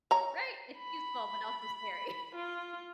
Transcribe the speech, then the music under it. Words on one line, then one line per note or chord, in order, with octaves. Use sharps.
Right, it's useful, but also scary.
C#5 A#5
B5
F4